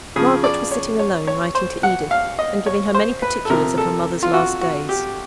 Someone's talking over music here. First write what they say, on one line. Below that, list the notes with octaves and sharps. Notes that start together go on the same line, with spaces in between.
Margaret was sitting alone, writing to Edith, and giving her many particulars of her mother's last days.
C#3 F3 G#4
D5
C#5
C#5
C#5
C5
F#5
F5
D#5
C#5
C5
B4
A4
C3 F3 A#4
A4
F4
F#4
F#4
G4